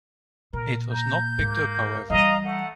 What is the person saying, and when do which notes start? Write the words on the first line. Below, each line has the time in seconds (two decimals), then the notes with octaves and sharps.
It was not picked up, however.
0.53 A#2 A#4
0.92 A#5 G6
1.38 G#2 A#3
2.10 E3 G3 D#5 F5 A#5
2.45 A3 F#5